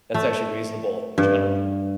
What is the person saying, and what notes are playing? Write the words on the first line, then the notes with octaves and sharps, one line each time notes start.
That's actually reasonable in general,
A3
G2